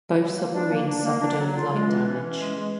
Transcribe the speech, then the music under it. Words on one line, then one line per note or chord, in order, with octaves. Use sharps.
Both submarines suffered only light damage.
F#3
A#3
D4
A#3
D4
A#3
D4
F#3
F4
G#3
E3
C#4
E3
G#3
G#3